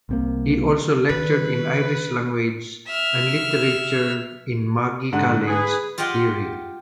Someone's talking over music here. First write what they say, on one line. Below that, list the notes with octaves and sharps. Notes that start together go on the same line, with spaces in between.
He also lectured in Irish language and literature in Magee College, Derry.
C2 C3 A#3
D#3 B4
E5 F6
G#2 D3 F#5
G#4 B4
F4 G4 D#5 F#5 G5